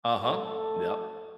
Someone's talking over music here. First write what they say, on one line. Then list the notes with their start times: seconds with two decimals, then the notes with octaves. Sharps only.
Uh-huh, yep.
0.22 A3 A4